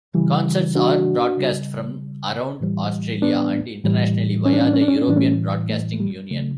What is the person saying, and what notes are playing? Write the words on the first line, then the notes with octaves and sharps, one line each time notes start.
Concerts are broadcast from around Australia and Internationally, via the European Broadcasting Union.
C#3 E3 G3
D4 F#4
C#3 G3
A2 E3 G3
B3 D4
A2 E3 G3
C#4
D4
C#4
D4
C#4
D4
C#4
D4
C#4
A2 E3 G3 D4
A3 C#4
A3
A3
G3
C#3 F#3 A3